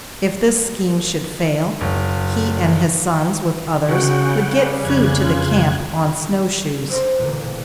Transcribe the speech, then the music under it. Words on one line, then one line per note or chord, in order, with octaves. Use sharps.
If this scheme should fail, he and his sons with others would get food to the camp on snowshoes.
F#1
C#3 F#4 F#5 G5
G3
F2 F#6 G#6
F4
C5
E1 A#2 D3